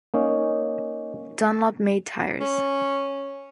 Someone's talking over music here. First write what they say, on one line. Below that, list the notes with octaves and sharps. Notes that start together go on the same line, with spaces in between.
Dunlop made tyres.
A#3 C#4 D#4
C#4